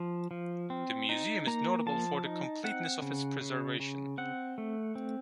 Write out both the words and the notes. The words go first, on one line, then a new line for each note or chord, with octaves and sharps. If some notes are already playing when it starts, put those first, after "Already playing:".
The museum is notable for the completeness of its preservation.
Already playing: F3
F3
C4
D#4
A#3 A#5
F3 A5
D#4
C4 F#5
C#3
C#3
C#3
C4 F#5
A3
C4